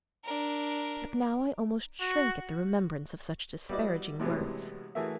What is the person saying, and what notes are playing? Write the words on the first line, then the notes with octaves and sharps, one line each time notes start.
But now I almost shrink at the remembrance of such disparaging words.
D4 A#4
F#4
G3 B3 E4 F#4 D5 D#5
A2 C3 E3 F#3 G#3 B3
E3 A3 F#4 G#4 A#4 E5